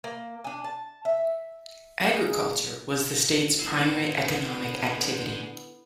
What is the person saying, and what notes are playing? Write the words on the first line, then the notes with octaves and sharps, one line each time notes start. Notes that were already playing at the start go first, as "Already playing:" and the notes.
Agriculture was the state's primary economic activity.
A#3
D4 G#5
A5
E5
D#4 G#4 F5
D3 B3 E4 G#4 C5